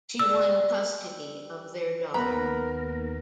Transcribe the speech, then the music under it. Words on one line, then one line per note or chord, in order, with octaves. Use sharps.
She won custody of their daughter.
G3 E6
D#2 B3 A#4 A#5 B5